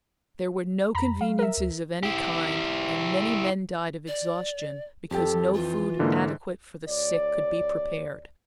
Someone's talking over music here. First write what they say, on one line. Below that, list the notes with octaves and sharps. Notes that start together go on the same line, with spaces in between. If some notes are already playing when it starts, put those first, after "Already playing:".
There were no conveniences of any kind and many men died of exhaustion because no food adequate for the sick could be prepared.
F2 A#5 B5
F#3 F5
A#4 E5
D2
E4 G4
D5
F2 G4 A4 G5
E3 F4
G#2 D3 E3 A#3
D2 C#5 D5